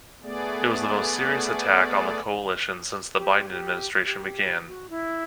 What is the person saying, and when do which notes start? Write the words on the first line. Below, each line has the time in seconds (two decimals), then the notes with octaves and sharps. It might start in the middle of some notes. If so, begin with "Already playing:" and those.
It was the most serious attack on the coalition since the Biden administration began.
0.23 A3 B3 G#4 D5
3.16 G4
3.51 G4
4.05 G4
4.67 F#4
4.90 E4